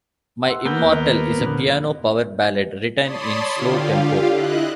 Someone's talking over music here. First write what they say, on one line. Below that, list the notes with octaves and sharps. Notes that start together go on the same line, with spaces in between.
"My Immortal" is a piano power ballad written in slow tempo.
F#5 C6 E6
A#3 B3 F#6 G6 G7
D#2 G7
F2 A#2 D3
C#5 D5 A5 B5 C6 D#6
D3 F4 G4 F5
E4 D#5 F#6